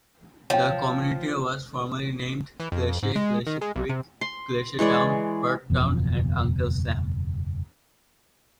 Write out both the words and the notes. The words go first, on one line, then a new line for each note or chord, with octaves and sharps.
The community was formerly named Kelsey, Kelsey Creek, Kelsey Town, Peartown, and Uncle Sam.
F3 C#5 G5
E3
F2
G#2
G#3
D#3
G#3
B1
C3
C6
E3 G#3 C#5 D5
F#1 E2 B2 F3